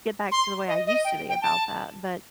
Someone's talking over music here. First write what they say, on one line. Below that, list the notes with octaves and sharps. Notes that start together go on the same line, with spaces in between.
get back to the way I used to be about that. But
C6
D#5
D#5
G5
G5
A5